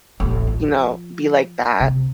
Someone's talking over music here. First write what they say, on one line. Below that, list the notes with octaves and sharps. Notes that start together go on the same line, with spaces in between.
you know, be like that,
D#1 A1
F3
C3